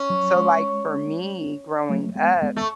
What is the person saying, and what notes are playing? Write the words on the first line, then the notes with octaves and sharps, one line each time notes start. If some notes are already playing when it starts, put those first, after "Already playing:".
So, like, for me growing up
Already playing: C#4
F#3
G#3
F#3 A3
G#3 B3
G#3 B3
A3